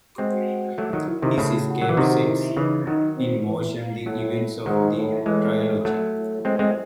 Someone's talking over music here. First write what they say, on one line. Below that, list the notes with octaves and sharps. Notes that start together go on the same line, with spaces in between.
His escape sets in motion the events of the trilogy.
G#3 C4 F#4
F#3 A3
D#3 F#3
E4
C3 D#3
A2 C#3
F#4
F#3
E3
C3 D#3 F#4
E4
C#3 E3 D#4
D#3 F#3 D#4
C4
E3
A2 F#3 A3
G#2 D#3 F#3
A2
A2 E3 G#3
F#3 A3
A2
G#3 C4
G#3 C4